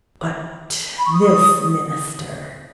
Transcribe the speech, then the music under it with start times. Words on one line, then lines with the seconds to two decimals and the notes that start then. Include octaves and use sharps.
But this minister.
0.98 B5
1.06 C#6
1.14 D#6